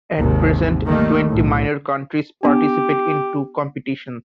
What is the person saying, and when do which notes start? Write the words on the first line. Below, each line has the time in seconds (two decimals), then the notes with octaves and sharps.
At present twenty Minor Counties participate in two competitions.
0.19 G#1 D#2 C3
0.86 D#3 G3 A3 A#3
1.28 B1 A2
2.43 B3 D4 G4